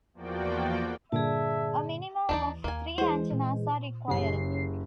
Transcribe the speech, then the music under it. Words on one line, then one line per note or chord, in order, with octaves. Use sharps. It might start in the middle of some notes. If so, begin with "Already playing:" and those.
A minimum of three antennas are required.
E2 F3 A#3 F#4 D5 G5
G2 A#2 D3 G#4 D5 E5 A5
D#2 E3 D4 D#4 D5
D#2 A#3 G#5
E3 G#3 C5
A#2
F#1 C#3 C#4 G4 G#4 C7